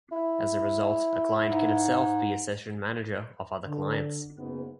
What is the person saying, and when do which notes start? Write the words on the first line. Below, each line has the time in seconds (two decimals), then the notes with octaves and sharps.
As a result, a client can itself be a session manager of other clients.
0.12 E4
1.47 G#2
3.65 D3
4.36 F#1 G#2 B3